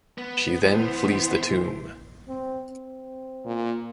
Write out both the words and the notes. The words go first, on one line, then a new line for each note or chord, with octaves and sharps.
She then flees the tomb.
B3
E3 C5
C4
C4
A#2